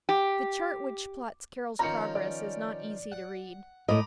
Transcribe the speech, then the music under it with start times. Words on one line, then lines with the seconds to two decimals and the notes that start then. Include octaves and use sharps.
The chart which plots Carol's progress is not easy to read.
0.09 G4
1.79 D#3 F3 C#4 A#5 C#7
2.15 D5
3.12 F#5
3.89 A2 D#5 A#5 B5 D6